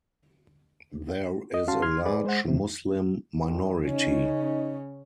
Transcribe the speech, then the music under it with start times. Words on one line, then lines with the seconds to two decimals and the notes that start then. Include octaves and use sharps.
There is a large Muslim minority.
1.54 D#5
1.68 C#4 F#4 F5 A5 C6
1.82 C6 F6 G#6
2.06 G#4 B4 D5
2.25 G#3 C5 F#5
2.48 D2 C3
3.42 C2 D#3
3.85 C#3 C#4 D#4